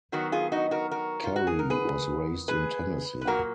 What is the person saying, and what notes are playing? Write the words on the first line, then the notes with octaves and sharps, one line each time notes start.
Curry was raised in Tennessee.
D#3 F#3 B3 F#4 A#4
F4 G#4
D#4 F#4
F#4 A#4
F#4 A#4
F4
F#4
G#4
A#4
G#4 B4
G#4 B4
B4
A#2 F#3 A#3 F#4 A#4